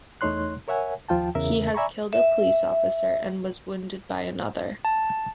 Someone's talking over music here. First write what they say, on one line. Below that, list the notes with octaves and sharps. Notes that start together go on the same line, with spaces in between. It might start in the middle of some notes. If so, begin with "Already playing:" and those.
He has killed a police officer and was wounded by another.
E2 A3 D#4 C#5 C6 F#6
A#4 C#5 E5 F#5 G#5
D#2 F3 F4 G5 A5
E2 C#3 A#4 E5
D5 E5 G#5 A#5 B5 C#6
E5
A5